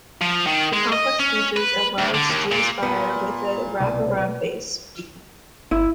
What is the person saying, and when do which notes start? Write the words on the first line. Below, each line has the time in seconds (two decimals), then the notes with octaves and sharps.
The complex features a large steel spire with a wrap-around base.
0.22 F3
0.47 D#3
0.73 G#3
0.93 D#5
1.20 C#4
1.56 B4
1.98 D2
2.14 D3
2.29 D#2
2.52 A#2
2.83 A#2 B3 A5 B5
3.80 C2 B2 D5
5.71 G1 E4